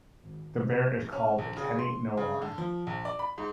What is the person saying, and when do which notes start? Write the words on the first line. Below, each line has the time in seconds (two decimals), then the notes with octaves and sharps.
The bear is called "Teddy Noir".
0.22 G#1
0.56 C3 C4
1.12 C#4
1.38 A#1
1.57 C#3
1.78 C6
2.17 C#3
2.42 D3
2.58 F3
2.87 A#1
3.05 D5
3.19 B5
3.38 G#2